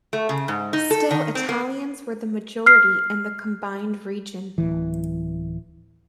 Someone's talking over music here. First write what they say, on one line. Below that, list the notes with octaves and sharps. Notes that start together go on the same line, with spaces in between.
Still Italians were the majority in the combined region.
A3
C#3
G#2
D#4
A4
D#3
C4
A#3
F6 C7
D1 E3